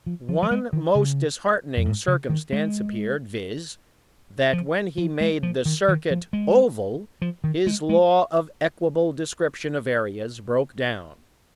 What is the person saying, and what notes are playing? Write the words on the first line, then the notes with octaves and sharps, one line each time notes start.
One most disheartening circumstance appeared, viz. that when he made the circuit oval his law of equable description of areas broke down.
F3
F3
F3
G#3
D#3
C#3
F2
G#2
C#3
D#3
G#3
F3
F3
G#3
F3
D#3
D#3
F3
G#3
F3
D#3
G#3
G#3